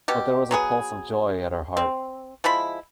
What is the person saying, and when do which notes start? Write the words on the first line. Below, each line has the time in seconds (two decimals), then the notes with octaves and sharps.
But there was a pulse of joy at her heart.
0.08 B2 G4
0.51 F#3 B3 G#4
1.77 C4
2.44 F3 G#3 E4 B5